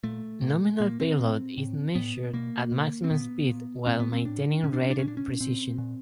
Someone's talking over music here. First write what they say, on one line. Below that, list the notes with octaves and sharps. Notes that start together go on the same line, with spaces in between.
Nominal payload is measured at maximum speed while maintaining rated precision.
A#2 A3
A#2
A#2 A#3
C4
A#2
A2
A2 B3
B2 A#3
B2
C4
A#2 B3
A#2
A2 C4
B3
C4
A2 D4
A#2 C#4
D4
C#4
D4
A#2 C#4
D4
C#4
A#2 C4
A#2